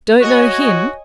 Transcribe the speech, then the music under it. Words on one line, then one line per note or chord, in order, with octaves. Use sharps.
Don't know him.
F#4 C#5 D#5 G#5